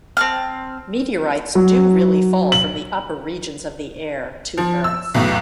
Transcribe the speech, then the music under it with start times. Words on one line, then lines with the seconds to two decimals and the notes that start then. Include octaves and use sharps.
Meteorites do really fall from the upper regions of the air to earth.
0.17 C4 A5 F6
1.55 F#3
2.52 F#7
4.58 F3
4.84 E6
5.14 B1 E2 A2